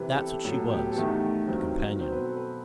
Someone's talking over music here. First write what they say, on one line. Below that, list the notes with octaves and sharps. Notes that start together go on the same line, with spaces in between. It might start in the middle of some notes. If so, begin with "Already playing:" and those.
That's what she was,--a companion.
Already playing: C3 E3 G3 B4
G4
A4
A2 F#3 B3 A4
G4
A4
E2 D#3 A3 G4
G2 D#3 F#3 C4
B2 F#3 C4 C5
B4
A4
B4